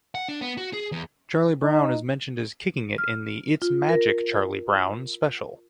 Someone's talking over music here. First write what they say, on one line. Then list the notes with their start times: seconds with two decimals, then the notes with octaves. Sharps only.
Charlie Brown is mentioned as kicking it in the "It's Magic, Charlie Brown" special.
0.15 F#5
0.28 D4
0.41 B3
0.57 F#4
0.73 G#4
0.92 E2
1.63 D#4
2.98 F6
3.62 F4
3.89 A#4